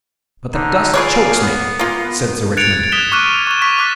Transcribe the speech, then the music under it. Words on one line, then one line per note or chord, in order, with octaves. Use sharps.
"But the dust chokes me," said Sir Richmond.
D3 D#4
F4 G#4 B4 C#5 D5 F5
B3
A#3 F4
F#6 G#6 A6 C#7 D7 F7
D#6 F#6 G#6 B6 E7 G7
C#6 D6 F6 F#6 D#7
C#6 E7
C#6 B6 D#7
D6 F#6 A6 B6